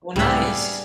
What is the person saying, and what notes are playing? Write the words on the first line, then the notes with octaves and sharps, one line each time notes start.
Oh, nice.
C#2 A2 G3 B3 D4 G#4 E5 F5